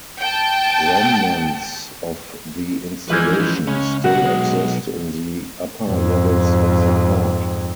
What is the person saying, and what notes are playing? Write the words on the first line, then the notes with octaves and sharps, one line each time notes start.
Remnants of the installation still exist in the upper levels of the fort.
G5 A5
E3 F3 G#3 B4 G#5
C#4 B4
C#2 C#4
B1 F#4 F#5
G#3
F2 G#2